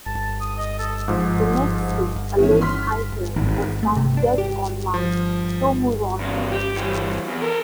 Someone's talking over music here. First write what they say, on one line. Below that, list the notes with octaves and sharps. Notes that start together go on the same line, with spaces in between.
The next day a lone hiker was found dead on Mount Tomuraushi.
A5
D#6
D#5
A4
G#2 F3
E2 D#3 E3 C#4
C6 F6 B6
G#1
A3
C3
D4
G4
F3
E2 C#3
G4
E3 G3
E2
A4 A#4